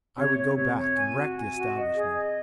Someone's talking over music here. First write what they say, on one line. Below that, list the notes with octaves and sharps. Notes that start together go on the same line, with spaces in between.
I would go back and wreck the establishment.
C3 C#5
C#5
C3 C#5
C#5
G#5
F#4
G#5
F#4
D#5
G#4
D#5